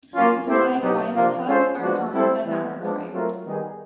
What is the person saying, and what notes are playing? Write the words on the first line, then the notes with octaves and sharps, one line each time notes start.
Likewise, hugs are common but not required.
F#3 A#3 C#4 F4
A3 C4 E4 G4 C5
B2 F#3 B3 D#4 G4
C3 F3 A#3 D4 F4
G#3 C#4 F4 A4 C5
F3 G#3 B3 D4 F#4
G3 C4 E4 A4 C5
E3 G3 B3
F3 G#3 B3 D4
F#3 A3 C4 F4 A#4
D#3 G3 B3 D#4 G#4